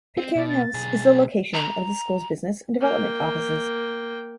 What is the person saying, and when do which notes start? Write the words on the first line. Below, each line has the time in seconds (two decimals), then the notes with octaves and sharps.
Pitcairn House is the location of the school's business and development offices.
0.17 C4
0.36 B2 D5
0.49 A6
0.74 B1 G#4
1.54 A#5
2.81 A#3 G5